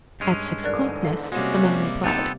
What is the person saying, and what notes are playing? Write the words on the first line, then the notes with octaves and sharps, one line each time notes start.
"At six o'clock, miss," the man replied.
G2 G#3 C#4
E2 G#2 D3 A#4 D5 F#6
A4 F5
C3 G3 G#3 A#3 C#4 F#4
F#6
A#2 B3 C4 D#4 A4 A6 F7